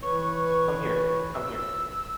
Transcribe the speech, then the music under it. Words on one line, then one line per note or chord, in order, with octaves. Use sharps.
Come here, come here.
E3 B4 C#5 C#6
E6